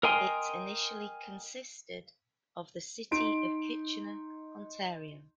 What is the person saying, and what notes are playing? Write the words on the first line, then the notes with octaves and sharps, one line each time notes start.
It initially consisted of the City of Kitchener, Ontario.
A#4 D#5 G5 G#5 C6
D#4 C6 D7